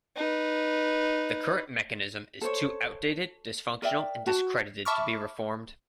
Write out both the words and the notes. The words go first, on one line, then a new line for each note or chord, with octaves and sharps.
The current mechanism is too outdated, dysfunctional, and discredited to be reformed.
D#4 B4
A4 C5 C#5
A#4 D5 E5 G5
F#4 A5
E5 A5 B5 C#6 D6 F6